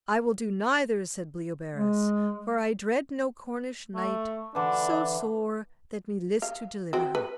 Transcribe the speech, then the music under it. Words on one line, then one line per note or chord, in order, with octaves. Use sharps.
I will do neither, said Bleoberis, for I dread no Cornish knight so sore that me list to deliver her.
G#3
A3
D3 E3 D4
F5
C4 F#4
B4